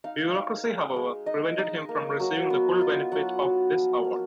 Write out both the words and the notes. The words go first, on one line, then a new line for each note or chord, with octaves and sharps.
Bureaucracy however prevented him from receiving the full benefit of this award.
D#4 F5
D#4
G#3
G#3
D#4 D#5
D#4
A#3
F#3
B3
F4
F#3 F#5
F#3
F3
A#3